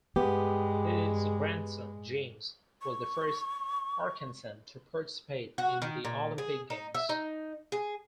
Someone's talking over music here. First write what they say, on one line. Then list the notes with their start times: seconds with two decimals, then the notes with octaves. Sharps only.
His grandson, James, was the first Arkansan to participate in the Olympic Games.
0.16 G2 G#3 B3 G4
2.82 C#6
5.58 F#4
5.82 D#3
6.05 A#2
6.38 G#4
6.70 D#4
6.95 E5
7.09 D#4
7.72 G#4